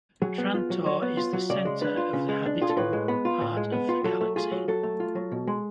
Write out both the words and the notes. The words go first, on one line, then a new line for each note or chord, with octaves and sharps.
Trantor is in the center of the habitable part of the galaxy.
F#3 G#4
B3
F4
F#3
F#3 C#5
B3
F4
F#3
C#3 D5
G#3
D4 B4
F4
C#3
G#3
D4
F4 G#4
A4
A2 B4
G#3
B3
F4
A2
G#3
B3
F4
F#3 A4
A3
F4 G#4
F#3
F#3 A4
A3
F4
F#3
B2
G#3